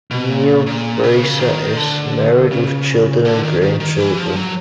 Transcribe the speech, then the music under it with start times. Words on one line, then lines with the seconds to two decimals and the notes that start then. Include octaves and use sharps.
Neale Fraser is married with children and grandchildren.
0.11 B2
0.30 A#2
0.67 A#2
1.03 C#3
1.40 D#3
1.77 D3
2.51 C#3
3.25 D3
3.43 D#3
3.61 D#3
3.80 D#3
3.98 E3
4.17 F3
4.35 F#3